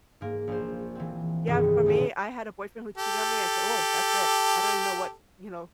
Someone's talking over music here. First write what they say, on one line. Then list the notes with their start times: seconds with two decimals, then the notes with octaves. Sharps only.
Yeah, for me, I had a boyfriend who cheated on me. I said, "Oh, that's it. I don't even know what, you know,
0.21 G#2 A#3
0.47 A#1 C5
0.95 E3 C4
1.47 F1 C2 G2 D#3 B3 G#4
1.86 E1 A1 A#2 C#4 D#4
2.98 G4 A4